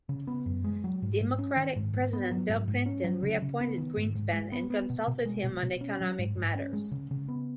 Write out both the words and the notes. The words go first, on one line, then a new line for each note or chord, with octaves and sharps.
Democratic president Bill Clinton reappointed Greenspan, and consulted him on economic matters.
C#3
B3
F#2
G#3
F#3
G#2
G#2
C#4
D#3
G#2
G#2
B3
F#3
G#2
G#2
C#4
F#3
C#3
C#3
B3
D#3
G#2
G#2
G#3
B3
B3
B2
B2
G#3
B2
B2
C#4
F#3
G#2
G#2
C#4
G#3
C#3
C#3
B3